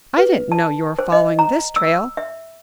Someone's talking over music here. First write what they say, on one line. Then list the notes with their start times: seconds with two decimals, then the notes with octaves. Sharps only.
I didn't know you were following this trail.
0.18 B4
0.52 A5
0.99 C5
1.12 D#5
1.39 A#5
1.76 E6
2.17 E5